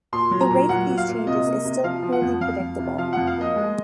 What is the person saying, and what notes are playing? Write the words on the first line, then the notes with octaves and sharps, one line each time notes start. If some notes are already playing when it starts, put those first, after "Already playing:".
The rate of these changes is still poorly predictable.
A#2 C6
F#3
A#5
A#2
F#3 F#5
A#2
F5
A#2
C3 D#5
A#3
C3
F3 F5
F3
F#5
F2
F2 F5
F2
C3
F3 F5
F2 F#5
F5
A#3 D#5
G#3